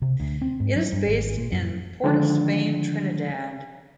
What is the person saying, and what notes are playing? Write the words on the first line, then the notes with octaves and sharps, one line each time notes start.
It is based in Port of Spain, Trinidad.
C3
D2
C4
G#2
F#3
G2
G#1
A#2
F#2
D3 D#3 F3 G#3 D4